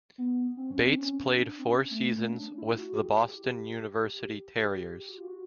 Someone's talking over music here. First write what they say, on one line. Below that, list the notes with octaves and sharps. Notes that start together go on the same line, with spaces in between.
Bates played four seasons with the Boston University Terriers.
B3
C4
C#4
C4
C#4
D4
C4
C#4
A3
A3
C#4
D4
E4
F#4
G#4
G4
G4
G4
F#4
F4
F#4